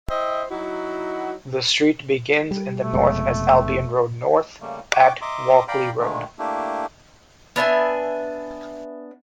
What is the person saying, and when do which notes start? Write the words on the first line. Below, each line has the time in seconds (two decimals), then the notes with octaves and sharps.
The street begins in the north as Albion Road North, at Walkley Road.
0.10 E4 C5 D#5 E5 G5
0.51 F#3 D#4 E4 F#4
2.51 G3
2.81 A3
2.94 F1 B2 G#3
4.60 C#3 G3 A3 A#3
4.93 F#5 G5 C#6 D6
5.21 D#5 E5 A#5 C6 D6
5.68 D5 F5 G5 A#5 B5
5.99 A#2 D3 D#3 G#3 A3
6.39 A3 A#3 D4 E4 G4
7.56 B3 D4 E5 G#5